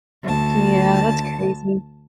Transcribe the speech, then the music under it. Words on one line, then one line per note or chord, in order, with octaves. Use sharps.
Yeah, that's crazy.
D2 A5